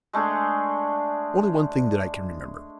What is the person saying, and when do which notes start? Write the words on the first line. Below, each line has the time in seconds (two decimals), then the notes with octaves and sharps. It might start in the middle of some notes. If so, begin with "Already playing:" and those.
Only one thing that I can remember.
0.13 G#3 A3 D4 G#4